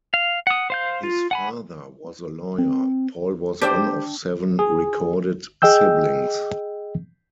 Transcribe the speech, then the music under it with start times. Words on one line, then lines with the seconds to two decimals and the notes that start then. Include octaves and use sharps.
His father was a lawyer: Paul was one of seven recorded siblings.
0.14 F5
0.47 F#5 D#6
0.70 C5 F5 G6
1.03 F4
1.31 F#5 G#5 B5
2.58 C4
3.61 D4 G4 C5 E5 G5
4.59 G#4
5.62 G#4 D#5 G5 E6 G6